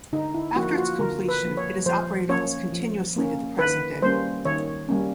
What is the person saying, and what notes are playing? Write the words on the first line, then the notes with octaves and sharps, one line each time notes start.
After its completion it has operated almost continuously to the present day.
D3 D#4
E4
F3 A#3 F#4
F4
F#4
D3 A#4
B4
F3 A#3
C#5
F3 C5
A#3 C#4 C#5
F3
A#3 C#4
D#3 B4
G3 A#3 C#4 C5
D#3 C#5
G3 A#3 C#4